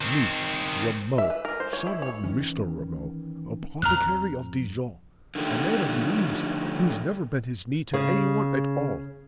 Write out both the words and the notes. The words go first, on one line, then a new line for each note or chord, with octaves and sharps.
Me, Rameau, son of Mr. Rameau, apothecary of Dijon, a man of means, who's never bent his knee to anyone at all!
D#3 C4
E5
B4
A#4
C5
C#5
E4
C#5
D#3 E3 C#4
F2 A#5 F6 F#6
D3 D#3 F3 A3 G4
C#3